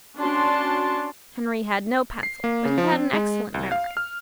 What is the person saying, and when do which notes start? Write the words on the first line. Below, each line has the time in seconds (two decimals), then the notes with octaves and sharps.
Henry had no pencil, but he had an excellent memory.
0.18 C#4 D4 F#4 A5 C6
2.23 C7
2.44 A#3
2.65 C#3
2.78 F3
2.92 C4
3.13 G#3
3.54 C2
3.72 F5
3.97 F6